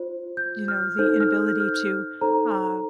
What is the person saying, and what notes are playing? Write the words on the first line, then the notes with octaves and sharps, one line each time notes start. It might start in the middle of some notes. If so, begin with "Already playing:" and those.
you know, the inability to, uh,
Already playing: F4 C5
G6
F6
D#4 A4 C5 G6
F6
G6
F6
D#4 A4 C5 A#5
A#5